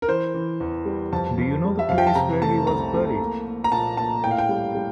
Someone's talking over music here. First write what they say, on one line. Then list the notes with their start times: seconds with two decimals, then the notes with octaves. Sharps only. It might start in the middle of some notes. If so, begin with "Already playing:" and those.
Do you know the place where he was buried?
0.02 A#4
0.08 E3 C5
0.34 E3
0.60 E2
0.85 G3
1.12 F2 A5
1.38 F2
1.65 G3
1.79 E5
1.89 F2 F5
1.98 G5
2.07 A5
2.15 C3 A#5
2.42 A3 A5
2.67 C2 A#5
2.94 A3
3.20 A#3
3.46 A#3
3.64 A#5
3.72 A#2 A5
3.97 A#3 A5
4.23 A2 G5
4.31 F5
4.38 G5
4.49 G3
4.75 G3